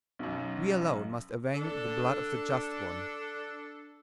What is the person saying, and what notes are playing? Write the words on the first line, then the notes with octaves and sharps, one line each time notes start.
We alone must avenge the blood of the just one....
B1 F#2
D4 A4